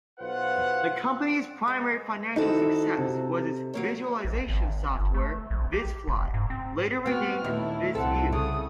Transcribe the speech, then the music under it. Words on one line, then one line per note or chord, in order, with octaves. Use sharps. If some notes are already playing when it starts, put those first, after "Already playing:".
The company's primary financial success was its visualization software VisFly, later renamed VisView.
B1 F4 B4 C5 F5 F#5
G#3
D#3 C4 D#4 E4 F#4 A4
C3
F#3 A#3 C#5
A#1
G#1
G1
A3
A#1
G4
F1
G#2
C4
B3 C4 F#4 F6
D#2 A#2 A3 E4
C2 C4 A4 F#5
C#3 A3 D#6